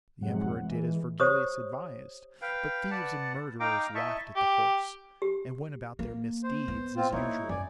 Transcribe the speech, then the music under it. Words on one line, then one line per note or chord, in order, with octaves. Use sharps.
The emperor did as Virgilius advised, but thieves and murderers laughed at the horse, and went about their misdeeds as usual.
F2 G#2 C3 F#3 G#3 F#5
E3 G#3
G4 C5 C#5 D#6
B4 F5 G5
B4 D5 F#5 A5
D#4 F5 G5 A#5 D6
E4 D#5 E5 A5 C#6
G4
G4
A#3
C5
B3
C4 F4
A#3 D#4 E4 C#5
F#2 D5 G#5